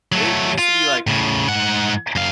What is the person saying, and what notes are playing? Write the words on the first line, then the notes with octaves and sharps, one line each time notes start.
it used to be like,
F#3 A3
F4
A2 C#3
G#2 F#5
F#2 F5